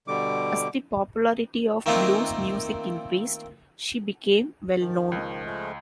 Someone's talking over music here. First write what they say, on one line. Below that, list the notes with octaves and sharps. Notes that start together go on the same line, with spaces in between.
As the popularity of blues music increased, she became well known.
B2 D3 G3 D6
D#3 A3 A#3 C4 D#4 F4
D#3 F3
C#2 D#5
F3 G#3 A3